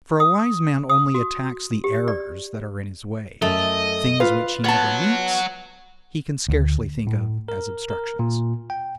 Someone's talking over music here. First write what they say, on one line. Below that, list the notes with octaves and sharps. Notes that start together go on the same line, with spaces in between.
For a wise man only attacks the errors that are in his way; things which he never meets he can scarcely think of as obstructions.
D#6
D#6
F#4
G4
D5
F#2 A3 D#5
F4 B4 F5
B3 C#5 F#5 A5
D2
A2
A#4
A#4
A#2
G5